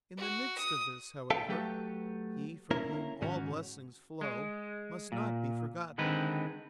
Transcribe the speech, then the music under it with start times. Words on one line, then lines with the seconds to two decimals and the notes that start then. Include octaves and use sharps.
In the midst of this, however, He from whom all blessings flow must not be forgotten.
0.18 F#4
0.58 D#6
1.30 A4 E5 F5 G5 A5
1.49 F#3 A3 G4 A4 B4
2.71 A#3 C#4 E4 A#4
3.22 G#2 D#3 C#4 F#4
4.21 G#3
5.12 A#2
5.98 D3 D#3 G#3 C4 B4